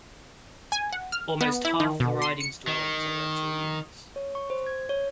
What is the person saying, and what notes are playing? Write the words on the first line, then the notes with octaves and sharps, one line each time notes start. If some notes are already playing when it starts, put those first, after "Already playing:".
Almost half the riding's dwellings are rental units.
G#5
F#5
F6
B3
E4
D#3
B2
C6
C#7
D#3
C#5
C#6
C5
G#6
C#5